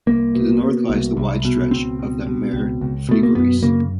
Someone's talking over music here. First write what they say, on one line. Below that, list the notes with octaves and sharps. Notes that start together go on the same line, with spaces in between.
To the north lies the wide stretch of the Mare Frigoris.
C2 A#3
B2
B2
C2
C2
B2
C#2 C4
B2
B2
C#2
C#2
B2 A3
A#3
F#2 B3
C#3 A#3